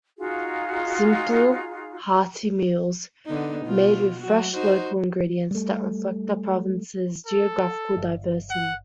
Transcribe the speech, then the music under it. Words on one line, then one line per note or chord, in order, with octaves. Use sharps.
Simple, hearty meals made with fresh local ingredients that reflect the province's geographical diversity.
D#4 F4 F#4 G#4
D3 B3 D#4
B2 F4
F#3 F#4
D#4 F#4 C5
G3 A3
A4
G1
F#5